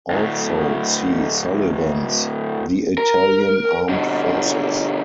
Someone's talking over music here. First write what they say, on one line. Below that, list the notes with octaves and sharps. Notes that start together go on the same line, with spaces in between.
Also see Sullivan's "The Italian Armed Forces".
D2 A2
A#4
B2 D3